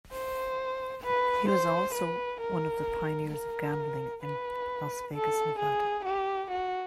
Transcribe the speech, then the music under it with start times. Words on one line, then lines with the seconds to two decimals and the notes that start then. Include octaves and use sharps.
He was also one of the pioneers of gambling in Las Vegas, Nevada.
0.12 C5
1.03 B4
1.48 C5
1.95 B4
2.40 A#4
3.31 A#4
4.22 B4
5.13 A4
5.59 G#4
6.05 G4
6.51 F#4